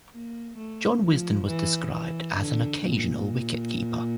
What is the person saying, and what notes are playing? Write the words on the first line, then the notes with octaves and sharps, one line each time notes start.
John Wisden was described as an occasional wicket-keeper.
A#3
A3
F3
E3
E3
D3
A#2